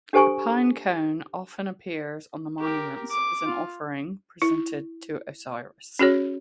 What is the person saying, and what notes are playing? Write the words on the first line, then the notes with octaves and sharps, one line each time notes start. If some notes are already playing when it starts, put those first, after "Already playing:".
A pine cone often appears on the monuments as an offering presented to Osiris.
D4 G4 A4 C5 G#5 C#6
G4 A#4
D6
F4
E4
C#4 F#4 G#4 C#5